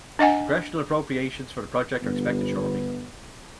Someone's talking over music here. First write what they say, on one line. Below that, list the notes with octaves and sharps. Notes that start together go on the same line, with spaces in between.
Congressional appropriations for the project are expected shortly.
D4 D#5 F#5 G#5
G1 B3